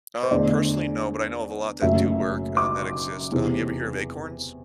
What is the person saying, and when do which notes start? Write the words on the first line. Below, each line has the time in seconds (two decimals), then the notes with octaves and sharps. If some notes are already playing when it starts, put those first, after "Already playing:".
Um, personally, no, but I know of a lot that do work and that exist, um, you ever hear of acorns?
0.23 C5
0.31 E2 D3 A3 D5
1.81 F#1 F#2 F#3 A3 E5
2.57 D6
3.32 E2 C3 E3